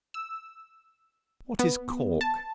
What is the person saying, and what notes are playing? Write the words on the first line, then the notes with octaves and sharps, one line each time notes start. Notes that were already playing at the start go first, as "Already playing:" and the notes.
What is Cork?
E6
B3
A5